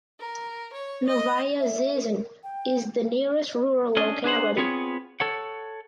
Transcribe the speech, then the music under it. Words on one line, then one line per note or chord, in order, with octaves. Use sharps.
Novaya Zhizn is the nearest rural locality.
A#4
C#5
D#5
E5
A#4
G5
C#4 D4 D#5
D4 G#4 C5 F#5
B3 C4 F4 G#4 C5 C#5
A4 C#5 F#5